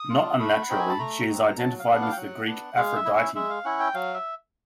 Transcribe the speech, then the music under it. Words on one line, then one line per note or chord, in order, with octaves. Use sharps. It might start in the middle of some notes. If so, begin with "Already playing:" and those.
Not unnaturally she is identified with the Greek Aphrodite.
Already playing: D#6
D4 F4
A3 B5
F#5
C4 D#4 F#4 G5
G#5
A5
A3 A#5
C4 D#4 F#4
F#3 A5
F5
B3 D4 F#5
F5
G5
F#3 F#5
B3 D4
G#3 F5
E5
C#4 E4 D#5
E5
G#3 E5
F5
C#4 E4 F#5
G5
F#3 F5
E5